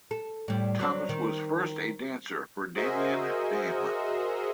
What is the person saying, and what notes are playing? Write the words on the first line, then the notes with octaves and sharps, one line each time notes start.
Thomas was first a dancer for Damian Dame.
A4
A2 G3
F#3 C4 D4
D#3
F#4 G#4 A#4 C5 D#5 E5